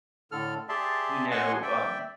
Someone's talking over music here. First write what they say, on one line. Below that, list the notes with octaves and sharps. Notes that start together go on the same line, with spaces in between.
you know, um,
A2 D3 A4 F6
G4 G#4 D5 E5 A5 C6
C#5 D#5 F#5 G#5 C6 C#6
D5 E5 G5